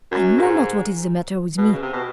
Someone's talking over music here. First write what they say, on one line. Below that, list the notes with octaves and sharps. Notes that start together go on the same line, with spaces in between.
I know not what is the matter with me.
F#2
G2
G#2
B2
C#3
C3
B2